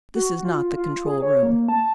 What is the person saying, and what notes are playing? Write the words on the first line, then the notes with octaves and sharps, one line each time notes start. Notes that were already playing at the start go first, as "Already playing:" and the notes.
"This is not the control room."
F#4
F4
F4
G#4
C#5
A#3
A5